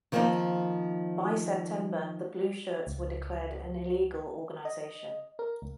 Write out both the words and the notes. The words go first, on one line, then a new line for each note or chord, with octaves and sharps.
By September the Blueshirts were declared an illegal organisation.
D#3 F3 A#3 C4 C#4 D#4
C#2
D#5
A#4
C#2